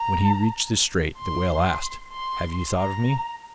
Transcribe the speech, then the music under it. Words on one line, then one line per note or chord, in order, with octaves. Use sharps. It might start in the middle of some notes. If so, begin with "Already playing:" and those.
When he reached the strait the whale asked: 'Have you thought of me?'
Already playing: A#5
C6
C6
A#5